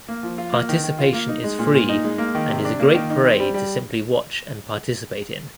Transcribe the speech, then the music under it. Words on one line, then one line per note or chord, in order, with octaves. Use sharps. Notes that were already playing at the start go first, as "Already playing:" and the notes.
Participation is free and is a great parade to simply watch and participate in.
A#3
F3
F4
A#3
D#3
D#3
F4
A#3
D#4
G#3
A#2
A#2
D#4
G#3
A#3
D#3
C3
D4
A#3
D#3
D#4
C4
G3
G3